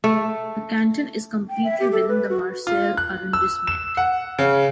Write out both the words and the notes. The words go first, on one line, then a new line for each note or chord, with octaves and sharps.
The canton is completely within the Marseille arrondissment.
A3
G5
E5
G4
A4
B4
F#4
F4
F#6
E6
E7
F#5
C#3